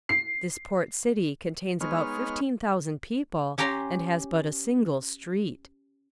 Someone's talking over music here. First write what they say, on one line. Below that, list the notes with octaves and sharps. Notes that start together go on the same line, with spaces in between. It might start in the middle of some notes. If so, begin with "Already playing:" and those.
This port city contains about fifteen thousand people and has but a single street.
C7
G#3 B3 D#4 C#5 F6
C#4 G4 G5 A#5 C6